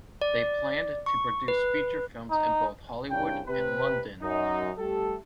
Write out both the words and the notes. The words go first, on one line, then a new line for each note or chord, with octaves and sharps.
They planned to produce feature films in both Hollywood and London.
D5
C#6
B4
D#4
C2 C#3 D4 G5
C3 B4
F#2 D#4
G3 A3 G4 A4